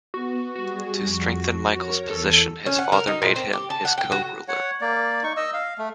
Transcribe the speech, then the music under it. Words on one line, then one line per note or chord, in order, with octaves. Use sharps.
To strengthen Michael's position, his father made him his co-ruler.
B3 F#4
G3 F#4 G#4
F2
A#4 C#5 A#5
E2 A4
C#4
F#5
A#4
D#4
A#2
C4
G4
A5
F#5
G5
F#4
C#5 F#5
A#3 D5
D#4 C#6
D#5 E6
F5
A3